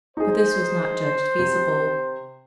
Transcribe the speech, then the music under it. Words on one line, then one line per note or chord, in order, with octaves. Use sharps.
But this was not judged feasible.
D#4 G#4 C5
C3